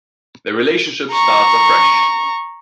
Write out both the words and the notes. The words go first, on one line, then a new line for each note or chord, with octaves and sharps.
Their relationship starts afresh.
A#5 C#6